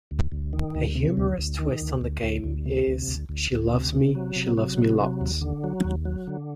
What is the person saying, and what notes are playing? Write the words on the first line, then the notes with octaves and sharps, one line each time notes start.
A humorous twist on the game is She loves me, she loves me lots.
D2
D2
D#3
D2
C3
D2
D2
D#3
D2
D2
D2
D2
C3
D2
D2
D2
D2
C3
C3
F#3
C3
F#3
C3
F#3
D#2
D3
F#3
D#2
F#3
D3